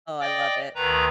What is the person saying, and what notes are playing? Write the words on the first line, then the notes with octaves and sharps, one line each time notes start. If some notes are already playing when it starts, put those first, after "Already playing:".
Oh, I love it.
D5 D#5 G5 D6
D2 D#3 B4 A#5